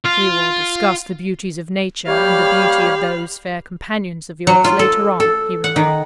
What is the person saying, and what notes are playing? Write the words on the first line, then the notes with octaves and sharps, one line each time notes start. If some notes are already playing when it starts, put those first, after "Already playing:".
"We will discuss the beauties of nature and the beauty of those fair companions of yours later on," he remarked.
F4
G3 A#3 G4 C#5 F5 B5
F#3
F4
A4
A4
F#5
D#3